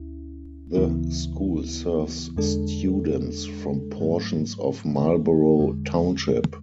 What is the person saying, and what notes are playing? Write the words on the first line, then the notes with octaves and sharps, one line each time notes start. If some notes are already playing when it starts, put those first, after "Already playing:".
The school serves students from portions of Marlboro Township.
Already playing: D2 C#4 E4
D2 C#3 E3 B3 E4
E2 D3 G#3 D4 A4
G#2 F#3 A3
E2 D3 G#3